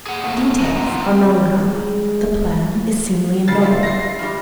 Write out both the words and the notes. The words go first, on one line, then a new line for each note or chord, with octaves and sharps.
Details are melancholy; the plan is seemly and noble.
G#4 F#5
C3 A3 A#3 E4 C#5
F3 C#4 B4 D#5 G#5 A#5
A#3 B3 D#4 F4
C4
G#3
C#3 A6 C7
E4 F4 E5
A#6 C7
G2 G3